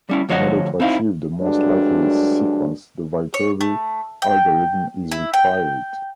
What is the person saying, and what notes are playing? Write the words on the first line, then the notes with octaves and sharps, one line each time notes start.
In order to achieve the most likely sequence, the Viterbi algorithm is required.
G3 C#4 E4
D2 F3 C#5 D#5 F#5
C4 D#4 E4 F5
D2 G2 D3 F#3 G#3 D4
C#5
A3
G5
E4
G5